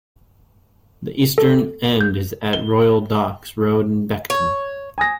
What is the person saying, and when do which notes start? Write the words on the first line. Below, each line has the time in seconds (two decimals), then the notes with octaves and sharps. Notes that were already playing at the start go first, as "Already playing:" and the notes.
The eastern end is at Royal Docks Road in Beckton.
1.38 A4
2.01 G6
2.53 G7
4.30 C#5
4.98 G#5 D#6 A#6